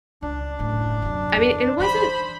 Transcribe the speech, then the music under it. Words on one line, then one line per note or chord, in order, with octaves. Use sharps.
I mean, it wasn't
C#2 D4
F#1 A2
F#2 C3
E2
E3 D#4 C5 B5